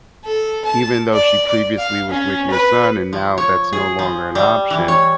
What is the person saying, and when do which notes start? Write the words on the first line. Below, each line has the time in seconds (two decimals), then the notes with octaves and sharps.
Even though she previously was with your son and now that's no longer an option,
0.25 A4
0.65 A5
1.13 D5
1.46 D5
1.78 F5
2.09 C#4
2.50 B4
3.13 F3
3.38 C#5
3.73 G#4
3.99 F3
4.35 G3
4.70 E3
4.88 C#5